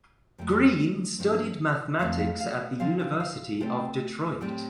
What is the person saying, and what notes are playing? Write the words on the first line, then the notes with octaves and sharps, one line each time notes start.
Green studied mathematics at the University of Detroit.
F2 F3 A3 G5
G2 F3 C4
F2 F3 A3 C4 F5
F5
F5
D3 F3 C4 F5
G5
F5
C3 A3 C4 G5
A2 G3 C4 G5